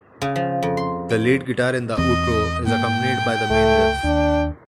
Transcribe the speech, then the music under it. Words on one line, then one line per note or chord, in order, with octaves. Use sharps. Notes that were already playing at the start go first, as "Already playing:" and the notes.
The lead guitar in the outro is accompanied by the main riff.
C#3
F3
F2
C6
G5
E2 E3 C4 D#5
G#2 A#3 G5
C#2 A3
D#2 D4